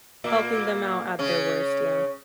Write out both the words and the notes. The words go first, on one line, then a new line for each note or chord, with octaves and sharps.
Helping them out at their worst, yeah.
A#2 A#3
C#3 C#4